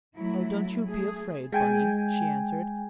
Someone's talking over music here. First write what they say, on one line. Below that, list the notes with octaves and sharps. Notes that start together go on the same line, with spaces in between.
"Oh, don't you be afraid, Bunny," she answered.
F#3 A3 E4
A3 G#4
G#3 G5 G#5